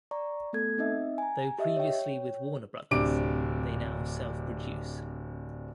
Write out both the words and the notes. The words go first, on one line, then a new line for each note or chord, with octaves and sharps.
Though previously with Warner Brothers, they now self-produce.
D5 A#5 C#6
A3 B3 A4 G#6
C4 D#4 D#5 E5
G#5 A#5
G4 D#5 E5
C#5 G5
D1 C3 D4 D6 D7